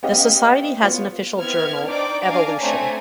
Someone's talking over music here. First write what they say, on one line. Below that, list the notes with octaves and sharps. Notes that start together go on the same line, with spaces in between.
The society has an official journal "Evolution".
B3 C#4 G4 D#5 F5
B3 F4 C#5
B3 C4 E4 F6 G#6
D4 D#4 C5 D5 G5 D6
D4 F5 G#5 A#5 D6
A3 C4 D4 C#5 G#5 A#5